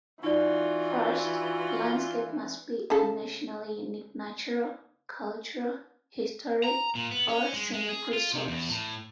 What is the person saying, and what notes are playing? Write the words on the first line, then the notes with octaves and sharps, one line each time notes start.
First, the landscape must be a nationally unique natural, cultural, historic, or scenic resource.
E3 D#4 F4 F#4 D5
C#3 A3 A4
A#5
A#2
B3
C#4
G#3
G#3
G#4
F4
C3
E2
A2